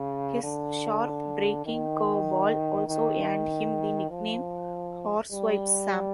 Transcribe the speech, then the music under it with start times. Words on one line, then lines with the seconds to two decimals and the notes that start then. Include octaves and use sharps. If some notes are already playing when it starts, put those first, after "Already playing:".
His sharp breaking curveball also earned him the nickname "Horsewhips Sam".
Already playing: C#3
0.43 D3
1.65 D#3
2.87 D#3
4.10 F3
5.32 G3